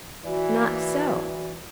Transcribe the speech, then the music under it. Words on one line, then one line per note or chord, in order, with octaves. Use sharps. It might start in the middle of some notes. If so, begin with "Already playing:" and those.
Not so.
E3 F#4 D5